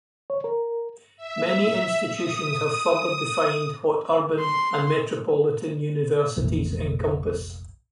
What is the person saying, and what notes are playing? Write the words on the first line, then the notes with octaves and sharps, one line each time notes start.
Many institutions have further defined what urban and metropolitan universities encompass.
C#5
A#4
E5
D#6
C6
F1 A#1 E3